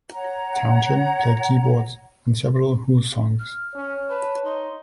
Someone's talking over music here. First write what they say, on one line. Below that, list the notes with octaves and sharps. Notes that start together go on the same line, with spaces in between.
Townshend played keyboards on several Who songs.
C#5 F#5 A#5
F6
C#4 C#5
B4 A5
D#4 C6